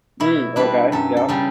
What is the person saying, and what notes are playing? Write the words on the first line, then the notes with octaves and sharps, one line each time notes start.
Mm, okay. Yep.
B2 E4
G3 D4 B4
F#2 A4
A4
C#3 G3 C#4